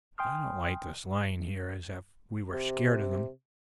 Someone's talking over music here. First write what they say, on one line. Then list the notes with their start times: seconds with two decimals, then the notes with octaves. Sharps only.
"I don't like this lying here as if we were scared of them."
0.18 G5 G#5 C6 D#6 F6
2.54 C3